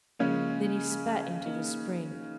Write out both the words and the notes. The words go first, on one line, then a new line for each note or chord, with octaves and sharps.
Then he spat into the spring.
C#3 F3 G#3 A#3 C#4
A#3 D#4